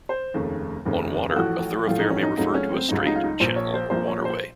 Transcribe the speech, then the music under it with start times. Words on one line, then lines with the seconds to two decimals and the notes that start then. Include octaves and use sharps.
On water a thoroughfare may refer to a strait, channel or waterway.
0.09 C5
0.34 F1 D#2 C#3 A3
0.85 F1 D#2 C#3 A3
1.30 F4
1.36 A1 A2 F3 A3 F#4
1.87 A1 A2 F3 A3 F4
1.99 D#4
2.10 C#4
2.23 D#4
2.37 C#2 C#3 F#3 A3 D#4
2.54 C#4
2.71 C4
2.89 C#2 C#3 F#3 A3 D#4
2.97 F4
3.06 D#4
3.16 F4
3.24 D#4
3.40 A#1 A#2 F3 C5
3.56 C#5
3.74 C5
3.90 A#1 A#2 F3 C5
4.07 C#5
4.25 C5